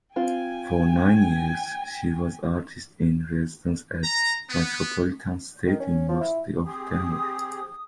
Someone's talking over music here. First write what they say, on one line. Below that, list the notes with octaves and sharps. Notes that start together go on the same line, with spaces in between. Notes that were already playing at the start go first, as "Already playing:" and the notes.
For nine years she was artist in residence at Metropolitan State University of Denver.
C4 F4 G5 G#5
A#5
B3
D#3
C#4
F3
E4
C4 G4 G#4 D#6